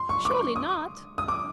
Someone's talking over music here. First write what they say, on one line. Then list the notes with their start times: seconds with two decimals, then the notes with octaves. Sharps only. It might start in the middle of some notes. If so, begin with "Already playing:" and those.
"Surely not?"
Already playing: C6
0.09 C#6
0.25 D6
0.56 D#6
1.18 D#6
1.28 D6